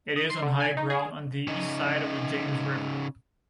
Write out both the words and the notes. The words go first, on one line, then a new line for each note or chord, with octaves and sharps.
It is on high ground on the east side of the James River.
D#6
C6
D3
G#5
D#4
G#4
C#3 D#4